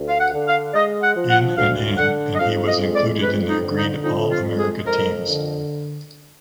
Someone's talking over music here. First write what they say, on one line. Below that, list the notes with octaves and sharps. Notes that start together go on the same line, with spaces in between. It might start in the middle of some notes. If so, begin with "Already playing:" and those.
In and in and he was included in the agreed All-America teams.
Already playing: D2
F5
F#5
D3
F5
D5
G#3 D#5
F#5
F3
F#5
D2 F5
D3 F#5
D#5
F2 F5
D#5
G#3
D5
F2 B4
D#4
D3
D#4
F2 D#4
F4
G#3
G#4
F2 A#4
D3